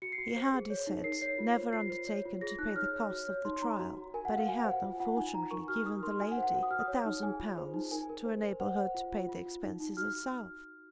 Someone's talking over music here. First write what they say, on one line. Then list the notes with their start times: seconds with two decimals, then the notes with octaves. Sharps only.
He had, he said, never undertaken to pay the cost of the trial, but he had, unfortunately, given the lady a thousand pounds to enable her to pay the expenses herself.
0.02 F#4 C#7
0.12 C7
0.18 F#4
0.36 C5
0.54 G#4
0.70 C#5
0.87 D#4
1.04 A#4 C7
1.22 C#5 C7
1.38 F4
1.57 C5
1.73 F4 C7
1.90 C5
2.08 C#5
2.25 F4
2.41 G#4 A#6
2.59 D#4 F#6
2.76 C#5 F6
2.94 C#5
3.11 F#4
3.28 C#5
3.45 D#4 C6
3.62 D#4 A#5
3.79 F#4
3.97 F#4
4.14 A#4 G#5
4.25 F#5
4.31 F#4
4.37 F5
4.48 F#4 G#5
4.60 F#5
4.65 C5
4.71 F#5
4.83 F4
5.00 F4 F#5
5.16 D#4 G#5
5.33 D#4 A#5
5.51 A#4 C#6
5.68 F#4 F6
5.86 D#4 D#6
6.03 A#4 C6
6.20 F#4 G#5
6.32 F#5
6.38 C5
6.43 F#5
6.55 F#4 F#5
6.63 D#6
6.71 F#4 F6
6.80 D#6
6.88 C#5
7.05 D#4
7.23 G#4 G#5
7.40 F4
7.58 C5
7.74 D#4
7.91 A#4 G#5
8.09 A#4
8.26 C5
8.42 C5
8.60 C5 F#5
8.77 C5 F#5
8.95 F4
9.12 F4
9.29 F4
9.46 F4
9.63 D#4
9.80 D#4
9.97 F#4 F6